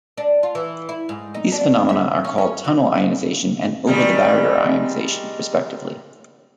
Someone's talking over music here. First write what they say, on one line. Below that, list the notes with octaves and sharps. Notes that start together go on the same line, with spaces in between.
These phenomena are called tunnel ionization and over-the-barrier ionization, respectively.
D4
F4
E3
E4
G#2
D#4
D4
E5
C#4
C#4
F#4
D#3 G3 G#3